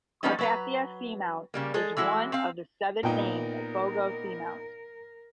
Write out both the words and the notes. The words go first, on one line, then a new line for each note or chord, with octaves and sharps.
Carpathia Seamount is one of the seven named Fogo Seamounts.
F3 G3 A#3 B3 C#4 D#4
F#3 B4 A#5
C#3 G3 A#3
G#3 G#4 A4
E3 G#3 E4 F#4
C4 F5
A#2 A#3 B3 D#4 A#4 G5